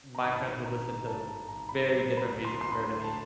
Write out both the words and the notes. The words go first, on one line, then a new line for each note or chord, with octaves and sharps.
my friends would listen to very different music compared to me.
A#5
G#1 B5
D3 A#5
G2 A5
G#1 A#5
B5
F#3 A#5
B5
D2
C6
C6
D2 B5
A5